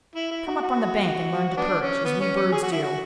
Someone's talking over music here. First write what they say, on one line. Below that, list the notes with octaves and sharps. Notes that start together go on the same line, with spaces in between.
Come up on the bank and learn to perch, as we birds do.
E4
E4
F#4
F#4
B3 D4
C#4
B3
C#4
C#4
G#4
F#4
E4
F#4